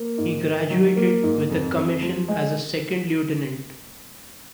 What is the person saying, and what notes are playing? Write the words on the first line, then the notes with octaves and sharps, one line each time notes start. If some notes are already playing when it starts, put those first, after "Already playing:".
He graduated with a commission as a second lieutenant.
Already playing: A#3
G#2
D#3
F#3
A#3
G#2
F2
F2
F3
G#3